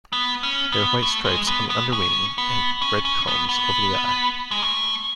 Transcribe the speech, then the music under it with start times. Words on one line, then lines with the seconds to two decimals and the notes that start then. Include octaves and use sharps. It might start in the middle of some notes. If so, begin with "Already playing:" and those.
There are white stripes on the underwing and red combs over the eye.
0.13 B3
0.43 C#4
0.72 B3
1.03 A3
1.25 G#3
1.47 B3
1.70 B3
1.93 C#4
2.38 B3
2.82 C#4
3.05 C#4
3.27 B3
3.49 B3
4.51 G#3
4.62 A3